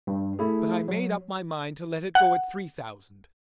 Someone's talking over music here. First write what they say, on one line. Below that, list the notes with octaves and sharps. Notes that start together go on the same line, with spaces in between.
But I made up my mind to let it go at three thousand.
G2
A3 E4 G#4
F#3
F#5